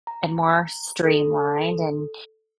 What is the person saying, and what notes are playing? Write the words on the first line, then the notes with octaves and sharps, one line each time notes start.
and more streamlined, and
A#5
A4